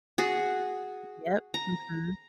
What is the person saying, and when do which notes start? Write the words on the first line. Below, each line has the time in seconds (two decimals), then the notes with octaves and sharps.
Yep. Mhm.
0.18 F#4 G#4
1.54 A#5